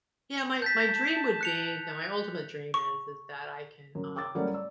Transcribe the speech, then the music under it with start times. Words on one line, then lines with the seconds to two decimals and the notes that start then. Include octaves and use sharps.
Yeah, my my dream would be no, my ultimate dream is is that I can, um,
0.62 A5 G6 A6 B6
1.41 F#6 C#7 F7
2.74 C#6
3.95 F#2
4.16 G5 D6 E6 A6
4.35 F#3 G3 A3 A#3 C#4
4.53 D5 E6